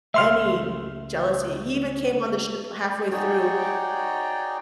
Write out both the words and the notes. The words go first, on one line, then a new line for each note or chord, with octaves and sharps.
any jealousy, he even came on the ship halfway through
C#2 A3 E5 C6 F6
D#4 F#4 G#4 C#5 D5 G5